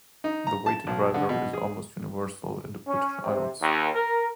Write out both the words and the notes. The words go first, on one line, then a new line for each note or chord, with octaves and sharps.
The weighted rudder is almost universal in the British Isles.
D#4
A#5
A5
B1
D3
B2
G#4
C#4
C3
D#2
A#4